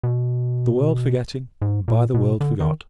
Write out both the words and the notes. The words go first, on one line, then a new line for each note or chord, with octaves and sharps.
"The world forgetting, by the world forgot."
B2
G#2
A#2
B2
D3
D#3